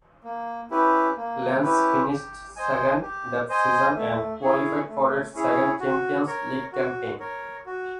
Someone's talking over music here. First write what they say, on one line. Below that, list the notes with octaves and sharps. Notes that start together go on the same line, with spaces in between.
Lens finished second that season and qualified for its second Champions League campaign.
A#3
C#4 E4 G4 B4
A#3
C#4 E4 G4 B4
G4
C5 D#5 G#5
G4
C5 D#5 G#5
A3
C#4 E4 G#4 C#5
A3
C#4 E4 G#4 C#5
F#4
A#4 C#5
F#4
A#4 C#5
F#4